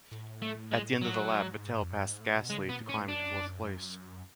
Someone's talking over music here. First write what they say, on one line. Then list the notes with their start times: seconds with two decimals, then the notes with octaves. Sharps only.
At the end of the lap Vettel passed Gasly to climb into fourth place.
0.11 A2
0.42 A3
0.72 G#3
1.02 F#3
1.31 G#2
1.81 F2
1.90 F#2
2.05 G#2
2.20 A2
2.35 B2
2.50 C#3 G#3
2.65 B2 B3
2.79 A2
2.89 C#4
2.94 A2
3.09 F#2 D4